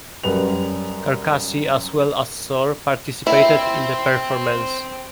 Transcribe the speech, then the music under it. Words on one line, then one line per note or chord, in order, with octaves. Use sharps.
Carcassi, as well as Sor, participated in the performance.
F#2 G3 B4 F7
C4 E4